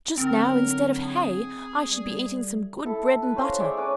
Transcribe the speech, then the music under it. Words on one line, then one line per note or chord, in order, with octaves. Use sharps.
Just now, instead of hay, I should be eating some good bread and butter.
D3 F#3 C4 D#4 A#4
G#4
G3 A3 D5
E4 A4
B4
C#4 C5 F5 A#5
G#3 C#5 D5 E5
C#4 B4 D6